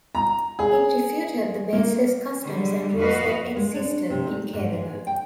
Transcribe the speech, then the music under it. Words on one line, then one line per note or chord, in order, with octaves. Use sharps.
It refuted the baseless customs and rules that existed in Kerala.
A#5
G#4
A#3
D3 G3 G#3
F2 F#4 B4 D#5 F5
G#3
D4
C3
D#4
G#2
G#4
G5